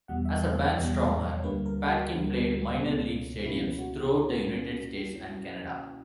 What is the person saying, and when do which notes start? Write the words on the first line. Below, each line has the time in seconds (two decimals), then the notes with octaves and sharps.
As a barnstormer, Patkin played minor league stadiums throughout the United States and Canada.
0.08 E2 B2 G3 F#5
0.25 E5
0.59 E5
0.76 E2 B2 G3 D5
0.98 D5
1.21 C#5
1.43 D2 D3 G3 A#3 B4
1.66 A#4
1.88 F#4
2.11 D2 D3 G3 A#3
2.78 C#2 B2 A#3 C#4
3.45 C#2 B2 A#3 C#4 E4
3.78 F#4